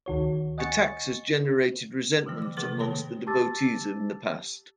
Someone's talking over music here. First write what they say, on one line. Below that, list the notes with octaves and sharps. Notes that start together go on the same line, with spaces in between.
The tax has generated resentment amongst the devotees in the past.
D2 D#3 F#4 C#5
D#5 F#5 G#5 C#6 A6 C#7
B2 D3 E3 F3 A#3
D6
C3 A3 G#4 B4 D6
B2 D#3 A#3 A4 C#5 A5
G4 A5 D6 E6 A6